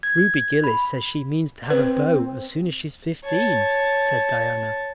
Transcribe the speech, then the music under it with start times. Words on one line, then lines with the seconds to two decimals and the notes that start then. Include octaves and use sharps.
"Ruby Gillis says she means to have a beau as soon as she's fifteen," said Diana.
0.03 G#6
0.64 B5
1.70 C4 B4
3.24 C#5 A5